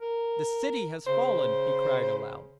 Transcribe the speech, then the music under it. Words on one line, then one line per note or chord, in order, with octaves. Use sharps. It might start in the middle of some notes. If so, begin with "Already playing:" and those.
"The city has fallen!" he cried aloud.
A#4
C#3 C5